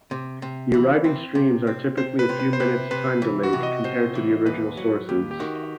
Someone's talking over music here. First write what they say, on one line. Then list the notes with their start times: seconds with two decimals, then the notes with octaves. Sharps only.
The arriving streams are typically a few minutes time-delayed compared to the original sources.
0.11 C3
0.42 C3
0.74 E3
1.04 C4
1.35 C3
1.67 C4
1.97 C3 C5
2.19 B4
2.29 C3
2.39 B4
2.53 C5
2.60 C3 B4
2.91 C3 B4
3.22 E3
3.43 F#4
3.53 C3
3.63 D#5
3.84 C3 C5
4.15 E3
4.46 D#2 B4
4.77 F#3
5.09 D#2 G4
5.31 G4
5.39 D#3 F#4